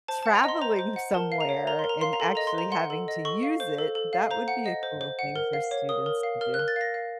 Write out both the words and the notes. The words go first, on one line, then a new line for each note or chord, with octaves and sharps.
traveling somewhere and actually having to use it, that would be a cool thing for students to do.
C5 A5
A5
F#5
A#5
D#5 C6
C5 A#5
C5
F#5
A#4 A5
F5
A#5
C#5
A#4 A#5
A#4 C6
A#5
F5 C6
A#5
A4 C6
D#5 A#5
C6
C5 A#5
F#5 C6
A4
D#5
A4 C#6
F5
C5
A4
A4
F5
C5 A#5
F#5
D#5
C5
C5
F#5
A#4
F5
C#5
A#4 D#6
A#4
F5
A#4 F6
F#6
A#4
A6
F5 A#6
F5